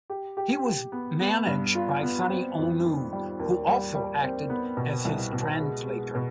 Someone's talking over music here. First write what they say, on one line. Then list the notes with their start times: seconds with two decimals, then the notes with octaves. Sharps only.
He was managed by Sonny Onoo, who also acted as his translator.
0.10 G4
0.37 G4
0.65 G4
0.92 B3
1.20 B3
1.47 G2
1.75 F4
2.02 B3
2.30 C4
2.58 F2
2.84 D#3
3.13 G3
3.39 D#2
3.67 G3
3.95 G3
4.22 C4
4.50 B3
4.77 B2
5.05 C2
5.33 B2
5.60 G#3
5.87 G#3
6.15 B2